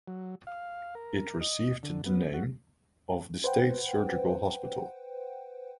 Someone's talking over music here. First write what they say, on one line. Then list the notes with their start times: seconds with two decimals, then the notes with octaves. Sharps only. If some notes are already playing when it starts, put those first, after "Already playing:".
It received the name of the State Surgical Hospital.
0.08 F#3
0.47 F5
0.95 A#4
1.41 D#5
1.83 D3
2.06 B3
2.34 F#4
3.44 B4 C5 F#5 G5